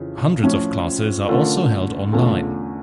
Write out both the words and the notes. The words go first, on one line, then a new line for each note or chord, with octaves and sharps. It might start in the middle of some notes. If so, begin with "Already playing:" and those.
Hundreds of classes are also held online.
Already playing: F2 C#3 E3
A2 F3 C#4
D3 A3 C#4 F4 A#4
E2 D3 A3 C#4 F4